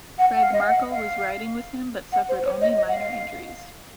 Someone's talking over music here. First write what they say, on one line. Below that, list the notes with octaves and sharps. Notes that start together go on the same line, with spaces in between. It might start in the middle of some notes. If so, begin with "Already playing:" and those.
Craig Markle was riding with him but suffered only minor injuries.
F#5
F#5
F5
D#5
F5
F#5
F5
F#5
C5
C#5
D#5
D#5
F#5
F5